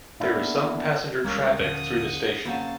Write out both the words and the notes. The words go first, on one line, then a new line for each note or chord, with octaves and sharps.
There is some passenger traffic through the station.
A#3 B3 D4 E4
C#2 G3 G#3 A#3 C#4
D#2 A#2 D3 F3 F#5 D#6
C#3 F#3 A#3 C4 F5 A5